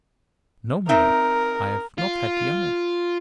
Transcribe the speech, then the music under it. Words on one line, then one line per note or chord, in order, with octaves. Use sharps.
"No, madam, I have not had the honor."
C4 D#4 A#4 E5
F4